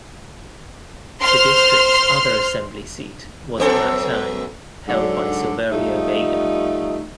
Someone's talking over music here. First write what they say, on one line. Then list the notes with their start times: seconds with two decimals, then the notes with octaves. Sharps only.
The district's other Assembly seat was at that time held by Silverio Vega.
1.23 C5 C6 F6
3.58 F#2 B3 A4
4.88 G#2 D3 F#3
5.71 F3 G3 A3 D#4